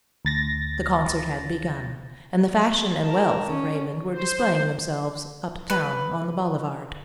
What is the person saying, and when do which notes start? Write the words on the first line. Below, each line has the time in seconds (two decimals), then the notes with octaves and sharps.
The concert had begun, and the fashion and wealth of Raymond were displaying themselves up town on the boulevard.
0.25 D2 A6 A#6
3.03 A#4 A5
3.49 C#4
4.10 C5
5.70 B4